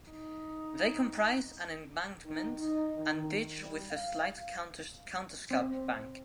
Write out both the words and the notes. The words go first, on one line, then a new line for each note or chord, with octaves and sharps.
They comprise an embankment and ditch with a slight counter-scarp bank.
D#4
D#3
D#4
D#3
G3
F5
C4